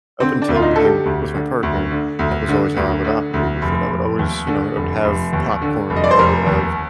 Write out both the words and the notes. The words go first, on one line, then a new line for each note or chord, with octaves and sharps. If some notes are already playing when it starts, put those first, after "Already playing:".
up until being with my partner, that was always how I would operate with it. I would always, you know, I would have popcorn, or I would have,
D3 C4
D4
D2
F4
D#4
D3 A4
G4
D2
D3
D2
D3
D2
D3
D2
D3
D2
F1
F1
D#2
D3
F1
F1
D#2
D3
F1
D#5
D5
C5
F1 A#4
D#2